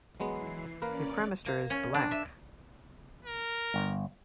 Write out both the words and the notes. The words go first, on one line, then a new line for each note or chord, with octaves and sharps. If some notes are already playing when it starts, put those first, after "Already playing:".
The cremaster is black.
E3 F#3 G#3 B3 C7
A#3 C#4 A#4 B4 D5
A#3
C#4
D4
E5
A#4
G1